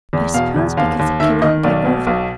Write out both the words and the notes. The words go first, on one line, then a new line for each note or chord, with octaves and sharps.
I suppose because it cannot get over.
E2
B2 F5
E2
D#2 F5
D#2
D#3 E5
D#3 D#5
B1 D5
B2
B1